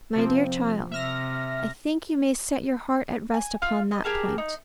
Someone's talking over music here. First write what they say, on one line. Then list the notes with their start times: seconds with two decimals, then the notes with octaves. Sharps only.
My dear child, I think you may set your heart at rest upon that point.
0.15 C3 F3 C4
0.91 C3 E5 F6 A#6
3.34 G#5
3.62 F4
3.91 D#5
4.04 G4 G#4 A#4 A5
4.38 D#4